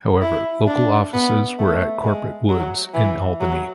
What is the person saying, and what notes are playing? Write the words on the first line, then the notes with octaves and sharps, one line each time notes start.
However, local offices were at Corporate Woods in Albany.
E4
D4
B3
A3
G#3
F#3
E3
F#3